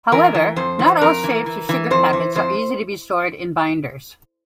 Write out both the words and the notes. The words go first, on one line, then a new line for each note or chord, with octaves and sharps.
However, not all shapes of sugar packets are easy to be stored in binders.
E3 A#4
E3
F2 C5
E3
F2 A#4
E3
E3
E3
F2 C5
E3
F2 C5